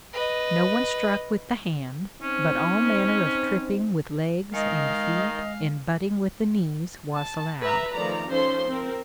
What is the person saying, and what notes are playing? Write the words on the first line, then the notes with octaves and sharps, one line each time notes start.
No one struck with the hand, but all manner of tripping with legs and feet and butting with the knees was allowed.
B4 D#5
C4 C#4 D#4 C5
D#3 G#3 D#5 F5
A5
B4 E5 A#5
D#3 F3 A3 D5 A#5
F3 C#4 D#4 A4 C5 C6
C4 A#4